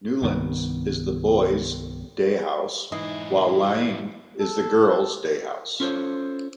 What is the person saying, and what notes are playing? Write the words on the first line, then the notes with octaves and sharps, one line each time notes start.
Newlands is the boys' day house, while Laing is the girls' day house.
C2 G2 D#3 B3
G#2 E3 D#4 E4 D#5 E5 C7
A4
C#4 F4 A4 A#4 C5 C#5